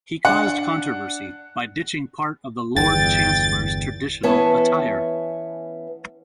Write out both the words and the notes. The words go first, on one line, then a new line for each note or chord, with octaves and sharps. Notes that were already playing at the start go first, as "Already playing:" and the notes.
He caused controversy by ditching part of the Lord Chancellor's traditional attire.
D4 F#5
G1 E2 G5 A6
E3 B3 C#4 B4 E5 A5